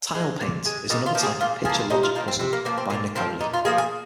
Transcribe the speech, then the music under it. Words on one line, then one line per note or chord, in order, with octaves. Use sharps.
Tile Paint is another type of picture logic puzzle by Nikoli.
G#3
A#2
G#3
A#2 D#4
F4
F3 A#3
G#4
A#2 F4
F3 A#3 G#4
C4
C3 D#4
F4
F3 A#3 D#4
C4
C3 C4
A#3
F3 A#3 C4
C4
A#2 C4
F3 A#3 C4
A#2 D#4
F4
F3 A#3 G#4
G#4